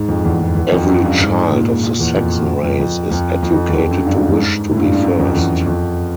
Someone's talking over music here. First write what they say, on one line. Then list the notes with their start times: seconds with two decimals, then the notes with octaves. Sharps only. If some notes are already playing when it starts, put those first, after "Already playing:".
Every child of the Saxon race is educated to wish to be first.
Already playing: G#2
0.08 F2
0.24 E2
0.41 F2
0.55 E2
0.72 F2
0.88 F#2
1.04 G2
1.20 G#2
1.52 A#2
1.83 A#2
1.99 E2
2.15 F2
2.63 F2
2.80 F2
3.11 F2
3.43 F2
3.54 F2
3.69 E2
3.75 F2
3.91 F#2
4.06 G2
4.17 G#2
4.28 G#2
4.71 A2
4.76 F#2
4.81 G2
4.92 G2
5.03 F#2
5.19 F2
5.35 E2
5.66 F2